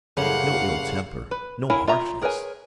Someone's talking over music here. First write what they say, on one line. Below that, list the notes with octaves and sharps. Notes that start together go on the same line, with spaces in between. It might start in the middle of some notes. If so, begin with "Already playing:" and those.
No ill-temper, no harshness.
F#1 A2 C#3 G3 F5 F#5
B4
E4 A#4 C#5 F5 G#5
F4 E5 A#5
G#4 A#4 B4 C#5 G#5